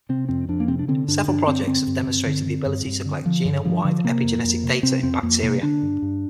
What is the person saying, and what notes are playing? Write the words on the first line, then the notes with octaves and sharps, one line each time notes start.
Several projects have demonstrated the ability to collect genome-wide epigenetic data in bacteria.
C3 C4
F2 C4
F2 D4
A#3
C3 C4
D4
D3 C4
G2 D4
G2 D4
D3 C4
D3 C4
G2
G2
D3
D3
G2
G2
D3
D3 F3
G2 D3
G2 F3
D3 F3
C3 A#3
F2
F2
C3
C3 C4
F2 C4
F2 A#3
C3 A#3
D3 D4
G2
G2